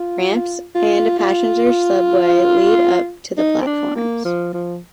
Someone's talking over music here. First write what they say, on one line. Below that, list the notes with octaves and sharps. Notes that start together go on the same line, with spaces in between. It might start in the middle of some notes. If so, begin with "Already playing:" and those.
Ramps and a passenger subway lead up to the platforms.
Already playing: F4
F4
F4
D#4
C4
D4
A#3
F3
F3